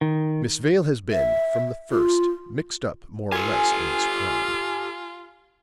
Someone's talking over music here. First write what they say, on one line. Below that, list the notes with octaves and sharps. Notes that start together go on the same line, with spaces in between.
Miss Vale has been from the first mixed up more or less in this crime.
D#3
E5
F4
F4 G4 A4 G#5